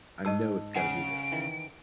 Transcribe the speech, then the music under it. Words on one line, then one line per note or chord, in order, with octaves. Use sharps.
I know it's gotta be there.
G#2 D#5 A5 E6
C#3 F#5 G#5 D7
D#3 E3